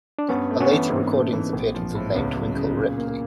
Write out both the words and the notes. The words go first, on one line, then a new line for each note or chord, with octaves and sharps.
Her later recordings appeared under the name Twinkle Ripley.
D4
G2 B3 C#4
A3
B3 C#4
E3
G#2 A#3 C4
A3
E3
A#1
F3
A2
C#2 B3 C#4
F#3
C#3
A#2
A#3